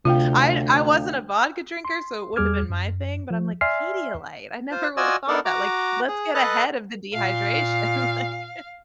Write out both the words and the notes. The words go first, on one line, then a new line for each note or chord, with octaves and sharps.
I I wasn't a vodka drinker, so it wouldn't have been my thing, but I'm like, "Pedialyte, I never would have thought that." Like, let's get ahead of the dehydration, like
D2 C3 F4 F5 G5
C6
E2 G3 G#4 D6 F6 G#6
F#2
F3
D5 E5 G#5 C6 F6 C7
F4 C5
F4 F#4 D5 D#5 G#5 E6
B3 D4 D#4 A4 A#4 D5
F#4 A#5 D6
G#4
A4 B4 D#5 A5 F#6
A#2 F5